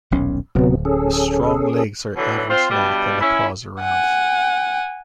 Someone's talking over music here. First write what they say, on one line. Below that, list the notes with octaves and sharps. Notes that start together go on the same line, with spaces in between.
The strong legs are average length and the paws are round.
D#1 B1 C#4
D1 C3 F#3 B3
C#4 G#4 A4
B2 D3 E3 F#3
C4 F4 C5
G2 B2 G3
C#4 E4
F#5 G#5